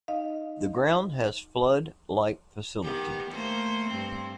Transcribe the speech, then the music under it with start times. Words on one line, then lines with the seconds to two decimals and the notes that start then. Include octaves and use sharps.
The ground has flood light facility.
0.08 D#4 D#5 F5
2.83 D#3 B3 G4
3.31 A3 A#3 C5
3.89 G2 C4